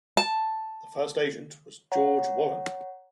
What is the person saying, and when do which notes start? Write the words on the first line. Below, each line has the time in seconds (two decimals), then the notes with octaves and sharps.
The first agent was George Wallen.
0.17 A5
1.92 C#5 F#5 A#5